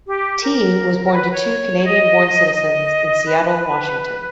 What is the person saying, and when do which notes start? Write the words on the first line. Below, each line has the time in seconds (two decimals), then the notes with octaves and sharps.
Tee was born to two Canadian-born citizens in Seattle, Washington.
0.06 G4
0.42 A#4
1.05 A#4
1.12 B4
1.31 C#5
1.84 D#5
2.55 D#5
3.26 B4